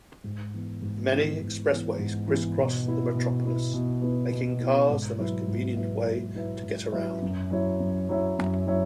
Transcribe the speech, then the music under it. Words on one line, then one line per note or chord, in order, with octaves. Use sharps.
Many expressways criss-cross the metropolis making cars the most convenient way to get around.
G#2
E3 B3
G#2
E3 B3
G#2
E3 B3
G#2
E3 B3
B2
B3 E4
B2
B3 E4
B2
B3 E4
B2
B3 E4
G#2
F#3 E4 B4 E5
G#2
F#3 E4 B4 E5
G#2
F#3 E4 B4 E5
G#2
F#3 E4 B4 E5
F#2
F#3 E4 C#5 E5
F#2
F#3 E4 C#5 E5
F#2
F#3 E4 C#5 E5